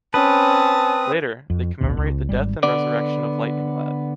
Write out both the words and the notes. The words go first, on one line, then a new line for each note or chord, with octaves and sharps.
Later, they commemorate the death and resurrection of Lightning Lad.
C4 C#4 B4 A5 D#6
F2
A1 D2 B2
C#2
G#1 G3
D3 B3 D5